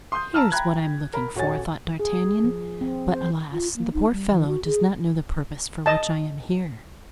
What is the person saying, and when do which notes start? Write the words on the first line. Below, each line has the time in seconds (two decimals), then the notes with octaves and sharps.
"Here is what I am looking for," thought D'Artagnan; "but alas! the poor fellow does not know the purpose for which I am here."
0.12 C6 D#6 G6
0.34 A5 A#5 E6 F6
0.52 G5 A#5 B5 F#6 G#6
1.14 A#4 B5
1.35 D#1 F#4 C#5 G#5 A6
2.00 G#4
2.44 F3
2.81 C4
3.13 C5
3.52 F4
3.76 A#3
3.93 D#4
4.12 G3
4.30 E3
4.48 F#4
4.65 G#4
5.86 D#5 A5